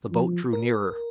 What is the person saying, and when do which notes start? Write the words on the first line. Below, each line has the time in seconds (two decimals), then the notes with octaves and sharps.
The boat drew nearer.
0.11 F3
0.53 A#4